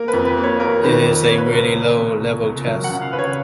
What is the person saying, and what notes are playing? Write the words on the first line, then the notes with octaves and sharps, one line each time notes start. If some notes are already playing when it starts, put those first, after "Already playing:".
It is a very low-level test.
Already playing: A#3 A#4
B4
F2
B4
A#3
C#5
A#3 A#4
D#3 B4
F2
A#3 C#5
B4
A#4
C#2 B4
A#3
B2
C#2
C#2
F#3 A#4
F#5
C#3
F5
C#3 B4
C#5